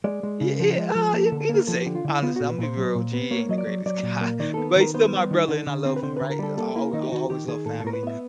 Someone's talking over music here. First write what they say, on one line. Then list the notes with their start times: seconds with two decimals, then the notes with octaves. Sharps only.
Y y ah, you you can say. Honestly, Imma be real with you, he ain't the greatest guy. But he's still my brother, and I love him, right? I'll al I'll always love family.
0.04 G#3 D5
0.23 G#3
0.41 C#3
0.60 F3
0.77 G#3
0.95 F3
1.13 A#3 A4
1.26 A4
1.32 D3
1.41 A4
1.49 A#3 A#4
1.67 F3 A4
1.81 G4
1.86 D3
1.95 F4
2.05 D3 E4
2.23 B3 F4
2.36 A#2 F#4
2.49 B4
2.58 A#2 C5
2.77 F#3
2.95 A#2
3.13 B3
3.31 A#3 C#5
3.49 F#3 D#5
3.58 D5
3.67 F#3
3.86 F#3 D5
4.03 A#2
4.21 A#3
4.40 D#3 D5
4.54 B3 A4
4.76 D#3 A#4
4.94 B3 C5
5.13 G3
5.31 D#3
5.48 D3
5.67 D3
5.85 C4
5.96 B4
6.03 D3 C5
6.17 D3 B4
6.30 A#4
6.39 G3 A4
6.57 A#3 A4
6.76 A#3 E4
6.93 D#3 D#4
7.03 G4
7.12 D#3 F#4
7.30 D#3 G4
7.48 D#3 G#4
7.65 A2 A4
7.80 A4
7.84 A2 A#4
7.93 B4
8.03 B3 E5